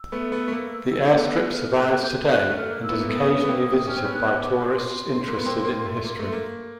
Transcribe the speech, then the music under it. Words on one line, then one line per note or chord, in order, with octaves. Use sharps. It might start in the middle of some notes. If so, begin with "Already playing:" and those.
The airstrip survives today, and is occasionally visited by tourists interested in the history.
Already playing: E6
A3 B3
A3 B3
A3
A#3
A3 B3
F6
F#6
G6
F#6
A3
F6
A#3
E6
A3 B3
A#3
A3 B3 D#6
B3
A#3 C4
C#4 F6
C4
B3 C#4
F#6
D6
C6
A#3
B3
A#3 C4
A#3
A3
A#3
A3
A#3